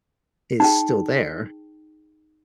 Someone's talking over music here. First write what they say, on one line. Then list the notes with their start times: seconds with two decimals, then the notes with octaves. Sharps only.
is still there
0.60 D#4 G#4 G5